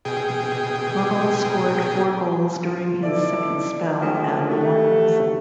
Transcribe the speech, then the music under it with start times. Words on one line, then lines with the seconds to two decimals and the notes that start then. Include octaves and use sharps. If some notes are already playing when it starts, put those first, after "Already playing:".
Lovell scored four goals during his second spell at Bournemouth.
0.05 B2 G#4 G5
3.03 B2 E4 A4 D5
4.02 D#3 F3 F#3 G#3 A3 C#4
4.48 A3 F#4 G4